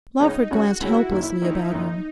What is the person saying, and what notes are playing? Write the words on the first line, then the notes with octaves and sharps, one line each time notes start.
Lawford glanced helplessly about him.
C#2 C#3 G#3 C#4 D#4
C#2 C#3 G#3 C#4 F#4
C#2 C#3 G#3 C#4 E4
F#1 F#2 D#3
F#1 F#2 D#3 D#4
F#1 F#2 D#3 D#4